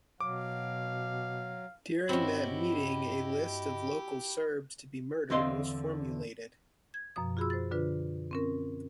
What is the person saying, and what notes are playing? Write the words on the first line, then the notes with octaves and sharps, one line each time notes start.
During that meeting a list of local Serbs to be murdered was formulated.
B2 F#3 F5 D6
G2 C4 C#4 E4 F#4 G4 D#5
E2 D3 C4 D#5 F5 C6
G#6
F#2 B2 F3 D#6
F4 F#4 G#4 B5 C6 E6
C5 A6
D3 D4 F4 B4
C4 C#4 A#4